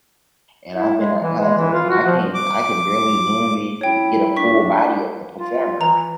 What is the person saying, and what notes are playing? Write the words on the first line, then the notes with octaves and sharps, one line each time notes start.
and I've been at concerts and I can I can barely zoom in and get a full body of the performer,
E4
G#3
E3
G#3
E3
F4
F#4
F3
D6
E4 C#5 G5
D4 C#6 B6
F4
E3 A#5 F7